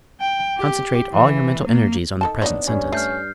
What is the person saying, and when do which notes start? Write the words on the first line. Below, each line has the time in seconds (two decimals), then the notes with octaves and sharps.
Concentrate all your mental energies on the present sentence.
0.21 G5
0.58 G4
1.13 E3
1.65 A#3
2.21 D#3 A4 A5
2.42 B3 D4 D#4 C#5
2.68 G2 C#4
2.92 A3 F6 G6 C7